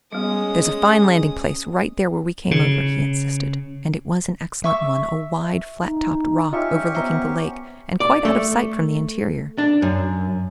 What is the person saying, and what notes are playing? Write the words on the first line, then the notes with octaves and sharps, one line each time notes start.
"There's a fine landing place right there where we came over," he insisted, and it was an excellent one--a wide, flat-topped rock, overlooking the lake, and quite out of sight from the interior.
G3 G#3 B3 C#4 D#6
C#3
E5 C#6 E6
D#4
C#4 F4 G4 D#5 E5 C#6
B3 C5 E5 A#5
D5
A3
D4
F#2